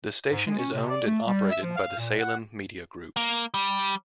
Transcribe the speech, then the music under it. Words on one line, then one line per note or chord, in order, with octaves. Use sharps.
The station is owned and operated by the Salem Media Group.
G#2
G#3
C#4
C3
D5
A3
G3
E5
F3
F5
A#2
F#5
A#3
G3